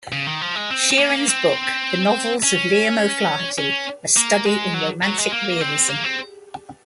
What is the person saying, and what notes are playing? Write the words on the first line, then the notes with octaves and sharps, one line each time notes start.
Sheeran's book "The Novels of Liam O'Flaherty: A Study in Romantic Realism".
C#3
D#3
F3
G#3
C4
C4
A#3
C4
C#4
C#4
A#3
G#3
F#3
F#3
G#3
A#3
C4
A#3
C4